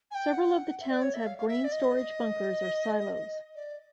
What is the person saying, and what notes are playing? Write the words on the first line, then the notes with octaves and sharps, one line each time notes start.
Several of the towns have grain storage bunkers or silos.
G#5
G5
F#5
E5
D5
C#5
E5
F5
F5
E5
D5
D#5
D5